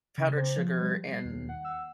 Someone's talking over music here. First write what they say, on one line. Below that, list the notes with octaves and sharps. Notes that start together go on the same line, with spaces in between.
powdered sugar and
C#3
C5
F3
G3
C7
D#2
F#5
E6